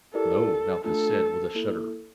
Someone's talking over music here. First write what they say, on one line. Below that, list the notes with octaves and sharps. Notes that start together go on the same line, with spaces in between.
"No," Malchus said with a shudder.
E4 G4 A4 A#4 D5
A3 D4 F4 A4
A#3 E4 A4